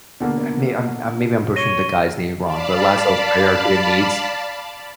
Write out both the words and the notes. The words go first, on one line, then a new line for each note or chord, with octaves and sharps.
I mean, I'm I'm maybe I'm pushing the guy's name wrong, but Laszlo's hierarchy of needs.
B2 D3 A#3
C#5 A#6 D#7 G7
D5 F5 A5 B5